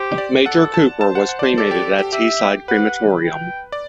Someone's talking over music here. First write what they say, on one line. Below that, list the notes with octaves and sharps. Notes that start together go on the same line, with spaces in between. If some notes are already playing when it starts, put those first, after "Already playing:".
Major Cooper was cremated at Teesside Crematorium.
Already playing: G4 C5
D5
A4 F#5
A5
C5 A5
F#5
F#5
D5
C5
A4 D5
G4
G4
G4 E5
B4 F#5
G5
D5